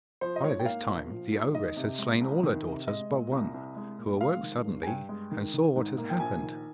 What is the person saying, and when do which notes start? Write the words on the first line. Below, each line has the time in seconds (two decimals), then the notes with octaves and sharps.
By this time the ogress had slain all her daughters but one, who awoke suddenly and saw what had happened.
0.21 F3 C5
0.36 D#5
0.44 G#2 C#5
0.60 G5
0.66 A#3 F5
0.88 A#1
1.10 F3
1.32 G#2
1.54 D#3 D#5
1.77 C3
1.99 G#3
2.21 C2
2.43 D#3
2.65 C3
2.87 G#3 D#5
3.10 A#2
3.32 C2
3.54 C2
3.76 G#3
3.99 A#2
4.21 G#3 F5
4.43 D#3
4.65 G2
4.83 G#5
4.87 G2 G5
5.09 G#3
5.31 D#3
5.54 D#3
5.76 G#2
5.98 A#3
6.10 G5
6.20 A#1 G#5
6.43 D#3